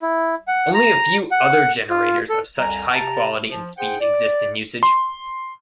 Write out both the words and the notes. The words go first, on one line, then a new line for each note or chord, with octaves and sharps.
Only a few other generators of such high quality and speed exist in usage.
E4
F#5
A#5
F#5
F4
A4
C2 F2 G3 G#5 A#5
C3 A5 A#5
F3
G#4 C5 F#5 G5
D5
C6